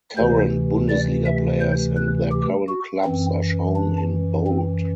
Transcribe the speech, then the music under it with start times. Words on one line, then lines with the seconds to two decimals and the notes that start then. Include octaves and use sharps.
Current Bundesliga players and their current clubs are shown in bold.
0.17 D2 C3 E3 C5
0.89 D5
1.25 E5
1.61 C5
1.97 B4
2.32 G4
2.68 F#4
3.05 F#2 E3 C4
3.76 D4
4.47 C4